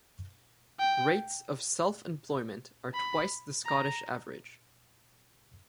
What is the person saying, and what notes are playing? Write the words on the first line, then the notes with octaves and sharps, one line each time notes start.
Rates of self-employment are twice the Scottish average.
G5
B5
A#5